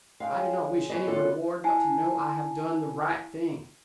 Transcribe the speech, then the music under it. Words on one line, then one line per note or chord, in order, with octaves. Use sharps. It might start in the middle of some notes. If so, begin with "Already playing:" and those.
I do not wish any reward but to know I have done the right thing.
G#3 C#4 F5 G5
E3 B3 C#5 D#5
F#2 G3 F4 A4 F#5
E4 G#5 A5 C7